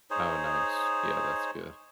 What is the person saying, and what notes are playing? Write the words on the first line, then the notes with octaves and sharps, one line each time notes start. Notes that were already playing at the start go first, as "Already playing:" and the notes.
Oh, nice. Yeah, that's good.
D#4 G#4 C5 C#5